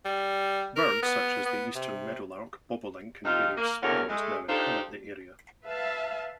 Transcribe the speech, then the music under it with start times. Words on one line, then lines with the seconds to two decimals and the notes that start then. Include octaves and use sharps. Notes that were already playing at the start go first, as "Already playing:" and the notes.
Birds such as the Eastern meadowlark, bobolink, and various sparrows now inhabit the area.
0.05 G3
0.76 A#4
1.02 B3
1.46 B3
1.75 C3
3.25 F2 C3 D#4 F4 G4 F5
3.57 A#3
3.82 E2 B2 D3 A#4 C#5
4.09 G#3 A3
4.48 D4 D#4 F4 G4 A4 C5
5.64 B4 E5 F5 A5